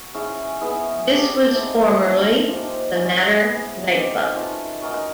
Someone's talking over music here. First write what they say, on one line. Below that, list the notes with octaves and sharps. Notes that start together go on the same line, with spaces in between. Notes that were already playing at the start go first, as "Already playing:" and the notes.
This was formerly the Matter nightclub.
Already playing: F#4
C#4 E4 G#4
B3 E4 G#4 B4
B3 D4 G4
E4 G#4 C5 D#5
A#3 D4 F4
F3 A#3 D#4 G4
A#3 C#4 E4
B3 E4 G#4 B4
C4 D#4 G4 B4
F#3 A3 C#4 F4
C#4 F#4 A#4 D#5